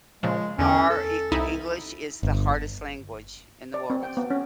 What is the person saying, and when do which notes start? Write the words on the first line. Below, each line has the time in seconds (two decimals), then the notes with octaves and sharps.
Our E English is the hardest language in the world.
0.23 A#2 C#3 F3 G#3
0.59 E2 D3 C#4
0.90 A4
1.32 C2 D#4 E4
2.23 G1
3.74 D5
3.90 C4
4.03 G5
4.17 B3
4.30 C#4